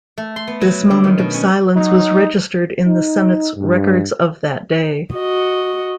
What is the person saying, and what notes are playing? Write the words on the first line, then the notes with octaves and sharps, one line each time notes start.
This moment of silence was registered in the Senate's records of that day.
A3
C6
B3
F#3
D3
D#3
B2
C#4
F#3 D#4
D#4
G2
F#4 D#5